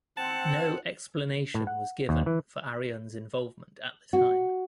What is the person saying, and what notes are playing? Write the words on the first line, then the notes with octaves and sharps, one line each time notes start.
No explanation was given for Arion's involvement at the time.
C4 F#5 A5
A2
F#5
D#2
E3
F#4